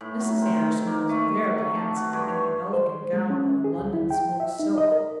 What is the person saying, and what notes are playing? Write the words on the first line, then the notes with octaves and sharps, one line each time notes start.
Mrs. Anderson was very handsome in an elegant gown of London-smoke silk.
A2
F#3
C4
D#3
A#3
A3
F#3
A3
A5
F#4
G2
C#5
C5
G#3
C#4
G#4
D2
E4
G5
E5
D#4
D#5
A#4